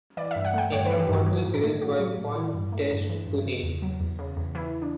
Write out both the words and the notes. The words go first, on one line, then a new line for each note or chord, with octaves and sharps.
England won the series by one Test to nil.
E3 D5
G2 E5
F#5
A3 G5
G2 C#5
E3 B4
G4
G2 F#4
F#3 F#4
A2
A4
A3
A2 F#4
F#3
A2
E3 E4
G2
A3
G2 D4
E3
G2
C#3
E2
F#3
E2
C#3
E2
E3 E4
D4